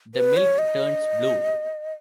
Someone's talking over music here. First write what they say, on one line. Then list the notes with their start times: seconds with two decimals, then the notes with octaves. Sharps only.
The milk turns blue!
0.15 B4
0.37 C#5
0.58 D#5